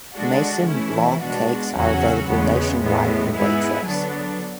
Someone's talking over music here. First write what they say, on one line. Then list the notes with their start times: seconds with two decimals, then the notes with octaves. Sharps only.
Maison Blanc cakes are available nationwide in Waitrose.
0.15 D3 G#3 D4 F#4
0.68 E3 A3 C#4 E4
1.21 B2 G#3 D4 F#4
1.74 E2 C#3 F#3 C#4 F#4
2.27 E2 C#3 G#3 B3
2.80 A2 G#3 B3
3.33 G#2 G#3 B3 E4 G#4
3.86 D3 F#3 B3 D4